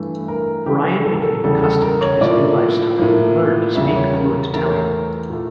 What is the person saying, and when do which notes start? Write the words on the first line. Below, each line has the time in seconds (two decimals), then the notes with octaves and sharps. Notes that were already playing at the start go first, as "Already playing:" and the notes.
Bryant became accustomed to his new lifestyle and learned to speak fluent Italian.
Already playing: G2 E3 A3
0.28 A#4
0.66 C#3 E3 G3 G4
1.05 A4
1.13 A#4
1.22 A4
1.44 E2 C#3 G3 A4
1.62 A4
1.82 A#4
2.01 C#5
2.21 A2 F3 A#3 D5
2.98 A2 F3 A#3
3.75 E2 C#3 G3 A#3 E5
3.95 C#5
4.14 A#4
4.53 E2 E3 A3 A#4
4.64 C#5
4.76 A#4
5.30 A#2 A3